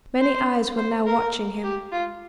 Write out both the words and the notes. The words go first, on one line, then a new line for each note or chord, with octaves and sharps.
Many eyes were now watching him.
C5
C5
A#4
G4
F4